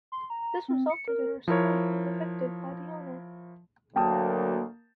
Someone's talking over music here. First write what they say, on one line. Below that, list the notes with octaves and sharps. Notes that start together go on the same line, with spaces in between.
This resulted in her school being evicted by the owner.
C6
A#5
C4
C#7
A#4
F3 E4 A#4 C#5
D2 F#3 A#3 G5 A5 D#6